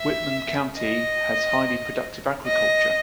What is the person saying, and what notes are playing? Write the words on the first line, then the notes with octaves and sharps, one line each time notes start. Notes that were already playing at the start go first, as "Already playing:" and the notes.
Whitman County has highly productive agriculture.
Already playing: E5
D#5
D#5